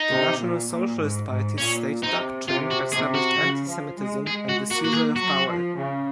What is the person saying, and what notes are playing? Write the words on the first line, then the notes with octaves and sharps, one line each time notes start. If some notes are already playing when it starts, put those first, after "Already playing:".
The National Socialist party's state doctrine established Anti-Semitism and the seizure of power.
Already playing: D#4
C3
A#2
A#2
G#2
G#2
A#2 C#4
C3 D#4
C3 F4
F#4
C3 G#4
F#4
C#3
F3
G#3
G#3 G#4
F#4
A#3 F#4
F#4
G#4
F#3 F#4
F3
C#3